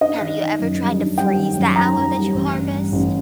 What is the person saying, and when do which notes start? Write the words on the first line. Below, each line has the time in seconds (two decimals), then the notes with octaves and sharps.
have you ever tried to freeze the aloe that you harvest?
0.01 D4 D#5
0.21 D#3
0.40 D#3
0.59 F#2
0.79 G3
0.98 D4
1.18 G3 G5
1.37 D#3
1.56 F#2
1.76 D#3 A#5
1.95 F#2
2.14 G3
2.34 A1
2.54 G2
2.73 G2
2.92 A1